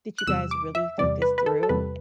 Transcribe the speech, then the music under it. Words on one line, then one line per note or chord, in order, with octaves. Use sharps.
"Did you guys really think this through?
F#6
E2 C3 G3 E6
D6
E5
E2 C3 G3 D5
B4
B4
A4
A4
E2 C3 G3 B4